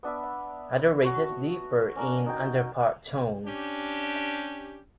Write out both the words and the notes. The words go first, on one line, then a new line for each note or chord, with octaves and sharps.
Other races differ in underpart tone.
B3 D4 E5 B5
F#4 C#5 A5
C#4 D4 A#4
D#4 F#4 G5
C#4 D4 G4